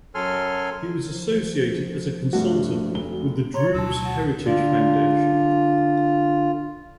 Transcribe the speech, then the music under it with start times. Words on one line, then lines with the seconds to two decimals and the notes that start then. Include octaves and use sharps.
He was associated as a consultant with the "Druze Heritage Foundation".
0.15 F#2 F#3 A4 G#5 C6 F6
1.09 F3
2.33 G2 A3 F#4
2.94 F1 G7
3.54 C#5 A#5 C6
3.74 D2 B2 A5 E6
4.04 F#5
4.46 D3 F4